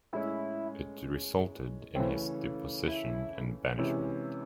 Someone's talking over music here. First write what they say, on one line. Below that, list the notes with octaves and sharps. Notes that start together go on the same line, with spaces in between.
It resulted in his deposition and banishment.
A2 G#3 C#4 E4
C#3 E3 A3 C4 C#4
E4
C3 E3 G#3 C#4 E4